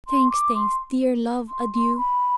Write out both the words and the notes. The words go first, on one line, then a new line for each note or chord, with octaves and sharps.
"Thanks, thanks, dear love, adieu!"
C6
D6
C6
C6
C6
B5